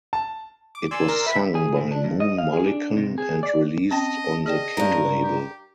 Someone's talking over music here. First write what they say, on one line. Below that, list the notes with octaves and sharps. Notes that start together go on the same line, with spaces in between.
It was sung by Moon Mullican and released on the King label.
A5
D6
D5 G#5 C6 E6
A#4
E5 B5
G#4
A2
D4
F#2
D#5
F5
G#4
D4
C3
G#4
D5
C4 C#4 D#5 G5 A5
G#4 D5 D#5 G5
G2 A#4
G4